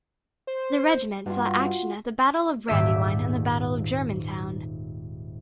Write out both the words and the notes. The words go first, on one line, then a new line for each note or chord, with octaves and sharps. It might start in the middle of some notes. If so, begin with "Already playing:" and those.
The regiment saw action at the Battle of Brandywine and the Battle of Germantown.
C5
G2 F4 F#4
D#1 G#2 G4 E5